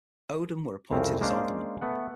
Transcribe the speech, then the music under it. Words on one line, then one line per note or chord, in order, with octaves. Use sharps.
Odum were appointed as aldermen.
C2 F2 C#3 C4 F5
G#3 A#3 C#4 D4 C5 F5
A3 B3 F#5